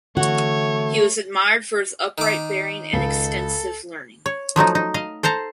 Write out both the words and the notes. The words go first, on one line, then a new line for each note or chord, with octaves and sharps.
He was admired for his "upright bearing and extensive learning".
D3 E3 A3 C4 F#4 C#5
D#3 D6
C#2 A4
C#5
F3 F#3 A3 D#4
D#4
D#5 F5
A4 C5 A5 A#5